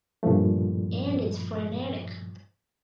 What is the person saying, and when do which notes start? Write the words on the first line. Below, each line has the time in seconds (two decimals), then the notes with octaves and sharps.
And it’s frenetic.
0.23 G2 A#2 E3 F3 A3